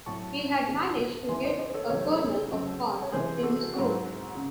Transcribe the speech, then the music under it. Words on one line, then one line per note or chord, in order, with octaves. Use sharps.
He had managed to get a kernel of corn in his throat.
A2 F#3 C4 A5 C#6
G#2 D#3 G#3 C4
E2 C#3 E3 G#5 C6
C5 D#5
C5 D#5
A4 C#5
E2 C3 F#3 A3 C#5
C5
A4 C#5
C#3 F#3 C4
C#5
C3 E3 G#3 G#4 C5
F#4 A4
G#2 F#3 C4 F#4
C#3